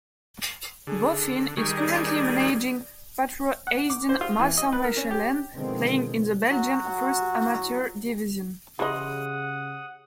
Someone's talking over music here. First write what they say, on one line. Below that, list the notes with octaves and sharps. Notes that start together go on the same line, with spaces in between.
Boffin is currently managing Patro Eisden Maasmechelen playing in the Belgian First Amateur Division.
D3 G#4
D#3 G3 G#4 C#6
D5
F#5
D6
C5
F4
E3
D#5
B4
A#4
C#4
G4
B2 D3 D#3 F3 G#3 C4
F#3 F#4
C#3 E4 G4 G#4 D#5 F#5 C6 D#6